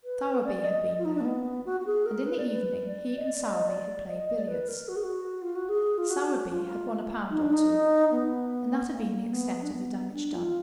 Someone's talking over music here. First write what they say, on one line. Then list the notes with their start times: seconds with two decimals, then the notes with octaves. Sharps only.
Sowerby had been there, and in the evening he and Sowerby had played billiards. Sowerby had won a pound or two, and that had been the extent of the damage done.
0.04 B4
0.44 D5
0.64 D#5
0.85 D#5
0.98 F4
1.05 D#4
1.15 D4
1.20 A#3
1.25 B3
1.65 F#4
1.80 F#4
1.86 G#4
2.06 A#4
2.26 B4
2.38 D5
2.50 B4
2.87 D5
3.17 D#5
3.26 D5
3.46 D#5
3.67 D5
4.07 D#5
4.18 D#5
4.28 D#5
4.37 D5
4.48 B4
4.68 A#4
4.88 F#4
4.96 G#4
5.03 F#4
5.41 F4
5.55 F#4
5.69 G#4
5.98 F4
6.09 F#4
6.49 F4
7.30 D#4
7.41 D4
7.52 D#4
8.11 B3
8.91 A#3
9.12 A#3
9.32 B3
9.62 D4
9.72 B3
10.13 D4
10.33 F4